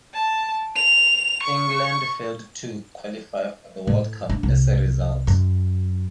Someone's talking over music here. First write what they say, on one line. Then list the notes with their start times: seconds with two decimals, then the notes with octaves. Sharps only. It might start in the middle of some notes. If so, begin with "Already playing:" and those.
England failed to qualify for the World Cup as a result.
0.14 A5
0.76 F7
1.43 C#6
3.87 A2
4.29 D4
4.43 C2
5.27 F#2